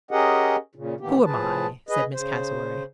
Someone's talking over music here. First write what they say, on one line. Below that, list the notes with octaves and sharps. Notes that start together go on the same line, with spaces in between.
"Who am I?" said Miss Cassewary.
C#4 G4 G#4 A#4 D#5 F#5
A#2 C#3
A2 D#3 E3 A#3 B3 G4
A2 F3 G#4 B4 A5
G#4 B4 D#5
C#3 C5